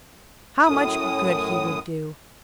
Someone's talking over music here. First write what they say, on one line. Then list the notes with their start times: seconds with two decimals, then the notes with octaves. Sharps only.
How much good he would do!
0.66 F#2 A2 D#6